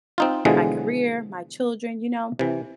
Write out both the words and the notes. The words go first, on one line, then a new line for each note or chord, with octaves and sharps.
my career, my children, you know?
C4 D#4 F4
B2 D3 E3 F3 G#3 G#4
C3 E3